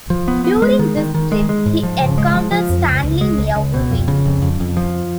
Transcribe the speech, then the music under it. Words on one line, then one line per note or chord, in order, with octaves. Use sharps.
During this trip he encountered Stanley near Vivi.
F3
B3
B3
G#3
D#3
D#3
D#3
G#3
G#3
G#2
F3
C#3
G#3
F3
F3
F2
C#2
C#2
G#3
C#2
C#2
B2
F2
C#3
F2
F2
F2
F3